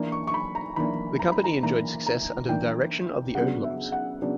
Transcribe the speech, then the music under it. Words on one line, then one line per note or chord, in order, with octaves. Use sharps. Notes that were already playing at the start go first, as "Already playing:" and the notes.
The company enjoyed success under the direction of the Odlums.
Already playing: E3 A#3 D4
C#6
C#6
B5
A#5
E3 A#3 D4 B5
A#5
B5
A#5
E3 A#3 D4 A#5
A#5
E3 A#3 D4 G5
C#3 F#3 B3 D4 F#5
E5
F#5
C#3 F#3 B3 D4